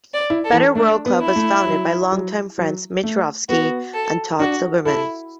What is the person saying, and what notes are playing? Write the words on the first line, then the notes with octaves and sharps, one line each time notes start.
Better World Club was founded by longtime friends Mitch Rofsky and Todd Silberman.
D5
E4
A4
E3
A3 D4
B3
E4
A3
F#3
F#3
F#3
A3
B3 F#4
A4
D4 F#4
E4 A4